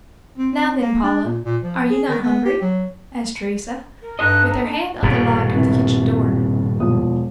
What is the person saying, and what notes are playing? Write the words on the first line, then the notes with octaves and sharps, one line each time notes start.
"Now then, Paula, are you not hungry?" asked Teresa with her hand on the lock of the kitchen door.
C4
C4
A#3
D4
A#2
A#2
F3
G#4
D#3
B3
G4
F#3
A#4
G2 D#4 A4 D#5 F#6
A#5
D4
D#1 G2 B2
C3 E3
E1 F3 D#6